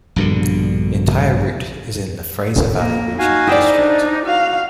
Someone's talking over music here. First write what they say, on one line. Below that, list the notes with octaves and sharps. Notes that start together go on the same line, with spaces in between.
The entire route is in the Fraser Valley Regional District.
A#1 G2 B2 D3
A#3
D#4 F#4 F5 G#5
E4 G#4 C5 D5 G5
D4
F#4 F5